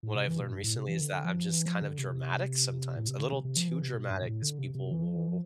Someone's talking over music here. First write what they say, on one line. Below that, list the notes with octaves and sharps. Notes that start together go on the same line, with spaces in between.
what I've learned recently is that I'm just kind of dramatic sometimes. A little too dramatic, as people will
A2
C3
E3
B2
G2
A2
C3
E3
D3
F3
E3
F3
D3
C3
A2
C3
D3
C3
C3
F3
E3
C3
B2
G2
B2
A2
D3
C3
C3
E3
F3
E3
F3